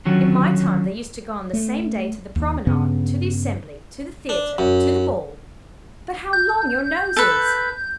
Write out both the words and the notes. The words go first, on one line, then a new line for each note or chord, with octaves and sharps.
In my time they used to go on the same day to the promenade, to the assembly, to the theater, to the ball--But how long your nose is!
D3 D#3 F#3 C#4 F4 F#4
A3
D#2
G2 C#3 B3
D4
F#2
G6
A4 B4